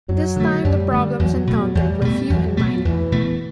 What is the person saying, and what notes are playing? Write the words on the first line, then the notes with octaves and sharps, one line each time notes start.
This time the problems encountered were few and minor.
F#2 F#3
D3 A3
F#2 G3
D3 A3
E2 F#3
B2 A3
E2 G3
B2 A3
E2 F#3
B2 A3
E2 E3
B2 A3